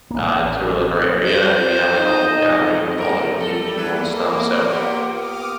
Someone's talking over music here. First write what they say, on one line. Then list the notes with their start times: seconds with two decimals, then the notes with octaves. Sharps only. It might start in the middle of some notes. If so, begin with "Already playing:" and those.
uh, tour, like, our area, and we have, like, a whole gathering with all the new people and stuff, so,
0.11 A1 A#3
1.25 C5 G6
1.91 D#4 D#5
2.98 F#2 A3 A#4
3.38 G3 A3 A4
3.78 A#3 E4 A4 B4
4.70 B3 F4 G4
5.10 D6 D#6 F6